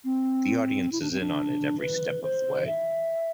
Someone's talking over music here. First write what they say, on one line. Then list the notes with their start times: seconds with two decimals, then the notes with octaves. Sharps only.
The audience is in on it every step of the way.
0.05 C4
0.92 E4
1.01 D4
1.11 C4
1.20 D4
1.80 B4
2.23 C5
2.67 E5